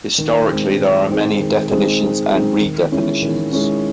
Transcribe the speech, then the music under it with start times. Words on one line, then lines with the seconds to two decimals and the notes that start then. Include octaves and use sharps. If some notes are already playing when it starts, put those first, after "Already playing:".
Historically, there were many definitions and redefinitions.
0.18 D#3
0.48 G#3 C4 D#4
0.79 D#3
1.10 G#3 C4 D#4
1.40 D#3
1.70 G#3 C4 D#4
2.01 D#3
2.31 G#3 C4 D#4
2.61 D#3
2.92 G#3 C#4 E4
3.22 D#3
3.52 G#3 C#4 E4